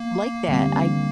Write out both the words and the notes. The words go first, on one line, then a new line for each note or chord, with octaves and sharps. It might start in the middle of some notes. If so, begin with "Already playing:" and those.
like that. I
Already playing: A#3
D3 G3 C4